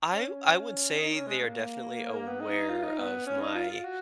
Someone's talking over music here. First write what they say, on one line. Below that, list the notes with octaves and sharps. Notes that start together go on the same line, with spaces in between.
I w I would say they are definitely aware of my
C#4
C#4
D#4
C#4
G#3
A#3
A#3
B3
D#4
F4
D#4
B3
C#4
D#4
F4
F4
F#4